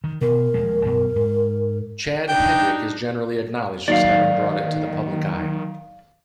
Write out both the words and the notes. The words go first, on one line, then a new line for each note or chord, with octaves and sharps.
Chad Hedrick is generally acknowledged as having brought it to the public eye.
D#3
B2 A#4
D#1 F3 G#3
F#2 B2
G#2
D4 D#4 G5
D#3 F#3 A#3 D#4 D5 F5